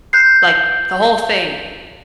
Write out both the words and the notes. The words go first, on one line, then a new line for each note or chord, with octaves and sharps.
like, the whole thing,
F#6 G6 C7